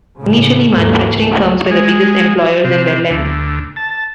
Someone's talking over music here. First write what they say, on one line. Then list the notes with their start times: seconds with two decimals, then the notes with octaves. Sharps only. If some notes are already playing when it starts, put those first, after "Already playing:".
Initially, manufacturing firms were the biggest employers in Welland.
0.18 A2 C#3
0.71 D#2 G#2 E3 A3 A#3
1.15 C#2 A3
1.71 G#3
2.65 C3
3.10 D2
3.76 A5